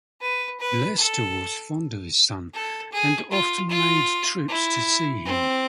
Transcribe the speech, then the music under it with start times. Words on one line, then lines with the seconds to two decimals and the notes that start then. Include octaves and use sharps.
Leicester was fond of his son and often made trips to see him.
0.21 B4
0.60 B4
0.98 A4
2.54 A4
2.92 G#4
3.31 F4
3.70 F4
4.48 E4
5.25 C4